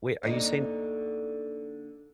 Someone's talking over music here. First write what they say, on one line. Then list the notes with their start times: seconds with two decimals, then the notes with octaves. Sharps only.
Wait, are you saying
0.23 D3 A#3 D#4